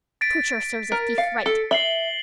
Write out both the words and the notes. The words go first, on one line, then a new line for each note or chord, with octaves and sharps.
Torture serves a thief right.
A6 B6 D7
A#4
F5 C#7
A4
E5 C7 F#7 G7